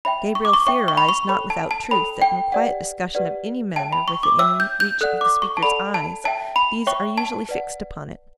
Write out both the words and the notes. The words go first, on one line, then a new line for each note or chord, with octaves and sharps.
Gabriel theorized, not without truth, that in quiet discussion of any matter within reach of the speakers' eyes, these are usually fixed upon it.
C#5 E5 G5 B5
C#6
D6
C#6
C#5 E5 G5 C#6
C#6
B5
C#6
A4 C#5 G5 B5
A5
A5
A4 C#5 G5 B5
G5
G4 B4 D5 F#5
G4 B4 D5 F#5
C#5 E5 G5 A5
B5
C#6
D6
C#5 E5 G5 E6
G6
G6
A4 D5 F#5 F#6
D6
C#6
A5
A4 D5 F#5 B5
A5
C#5 E5 G5 A5
B5
C#5 E5 G5 C#6
A5
B4 D5 F#5